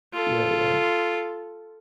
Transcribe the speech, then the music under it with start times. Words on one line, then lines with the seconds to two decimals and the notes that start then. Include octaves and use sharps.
Yeah, yeah.
0.13 F4 A4